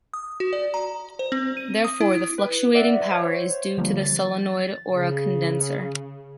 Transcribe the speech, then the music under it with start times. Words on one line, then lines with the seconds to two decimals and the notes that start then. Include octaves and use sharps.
Therefore, the fluctuating power is due to a solenoid or a condenser.
0.14 D#6
0.40 F#4
0.53 D5
0.74 A#5
1.19 C5
1.32 C4
1.57 D#7
1.85 D#6
2.01 E4
2.38 B4
2.75 D5 E5 F#5
3.11 C5 C#5
3.77 D3 F3 G3 A#3
4.03 A6
4.92 C#3